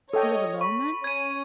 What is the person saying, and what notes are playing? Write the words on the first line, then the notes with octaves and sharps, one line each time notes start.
"You live alone, then?"
A4 C#5 D#5 G5
B5 C#6
C#4 G#6 D#7